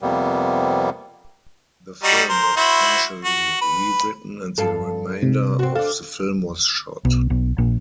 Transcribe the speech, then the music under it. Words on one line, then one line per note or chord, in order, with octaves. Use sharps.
The film was partially re-written and the remainder of the film was shot.
F2 C3 G3 A#3 B3
G3 D#4 F#4
A#4 C5
E4 F#4 C5
F#4
B4
G2 A4 F5
C3
C4 F#4
D4 A4 F5
B1
B1
A#1